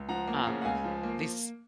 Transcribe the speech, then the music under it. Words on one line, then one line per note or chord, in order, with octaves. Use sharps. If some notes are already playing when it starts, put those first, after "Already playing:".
um, these
Already playing: C#2
F3 F#5 A#5
A#3
C#3
F#5
C#2 F5 G#5
F3
A#3